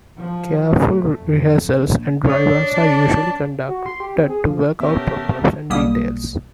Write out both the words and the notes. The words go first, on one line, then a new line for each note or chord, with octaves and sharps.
Careful rehearsals and "dry runs" are usually conducted to work out problems and details.
F3
A3
F2
A#1
D4 C#5 D#6
D5 A5
F#4
C6
G4
C4
G#4
F3
B2 A3 B3 C#4 G4 A#4 E5
B1 B2 G3 A#3 D#6